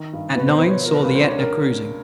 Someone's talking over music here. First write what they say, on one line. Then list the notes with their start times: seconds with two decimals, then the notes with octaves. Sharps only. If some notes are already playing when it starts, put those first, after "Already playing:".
At nine saw the AEtna cruising.
Already playing: D#3
0.13 G2
0.35 B2 B4
0.47 C5
0.58 B2 B4
0.70 C#5
0.81 F3 A#4
0.93 B4
1.04 C#2 B4
1.15 C5
1.27 D4 C#5
1.38 A#4